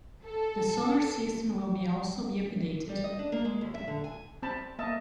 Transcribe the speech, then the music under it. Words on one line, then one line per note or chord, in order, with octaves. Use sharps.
The sonar system will be also be updated.
A4
G3
D#5
D4
A#3
G#3
D#2
E5
D3
G#5
C4 A5 B5
A#3 D#5 E5 A5